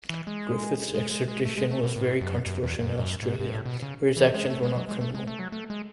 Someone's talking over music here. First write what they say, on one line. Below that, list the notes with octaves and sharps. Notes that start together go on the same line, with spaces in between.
Griffiths' extradition was very controversial in Australia, where his actions were not criminal.
E3
G#3
G#3
G#3
G#3
A3
G#3
A3
B2
A2
F#2
F#2
E2
F#2
F#2
G#2
G#2
A2
B2
C#3
E3
G#3
A3
G#3
F#3
G#3
A3
G#3
A3
F#3
A3
G#3